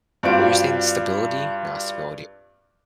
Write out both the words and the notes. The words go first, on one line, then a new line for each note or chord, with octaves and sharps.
What were you saying, stability? Not stability
G2 C4 D4 F4 F#4 D7